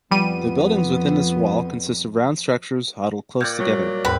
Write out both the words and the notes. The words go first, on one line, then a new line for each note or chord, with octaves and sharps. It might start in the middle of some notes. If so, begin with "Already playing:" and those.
The buildings within this wall consist of round structures huddled close together.
F2 F3 G3 B3 D#7
A#2 D5 G5 G6 G#6
F#3 G3
D#2 G#2 C4 A#4 B4